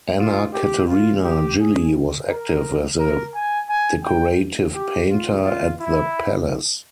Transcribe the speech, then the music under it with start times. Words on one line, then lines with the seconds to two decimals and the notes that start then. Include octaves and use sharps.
Anna Caterina Gilli was active as a decorative painter at the palace.
0.19 F4
0.53 G4
0.89 F4
1.24 G4
1.58 G#4
2.29 A#4
2.99 A#4
3.34 G#5
3.69 G#5
4.04 G5
4.74 G4
5.10 F4
5.45 F4
5.80 E4